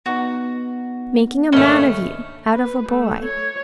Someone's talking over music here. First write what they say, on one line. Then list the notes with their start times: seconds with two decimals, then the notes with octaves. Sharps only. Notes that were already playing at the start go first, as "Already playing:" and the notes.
Making a man of you, out of a boy.
0.06 B3 D#4 F#4
1.53 G#1 D#2 A3 C#4 D4 B5
2.54 B4
2.89 A3
3.25 C#5